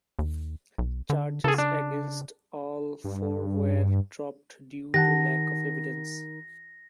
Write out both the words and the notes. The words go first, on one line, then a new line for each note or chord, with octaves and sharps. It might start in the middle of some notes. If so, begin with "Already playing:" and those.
Charges against all four were dropped due to lack of evidence.
D#2
B1
D3
C#3 G#4 A4
D4
G2
D#3 G4 F#5 A5 A#6